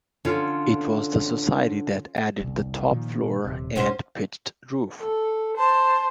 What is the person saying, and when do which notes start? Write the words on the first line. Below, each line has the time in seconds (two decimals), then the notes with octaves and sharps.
It was the Society that added the top floor and pitched roof.
0.25 D3 C#4 F4
2.40 G1 C2
2.90 A#2 D#3 F3
3.45 D#1 C3
3.76 F#1 B1 A2 C#4 F#4 C5
4.99 A4
5.57 C5 A5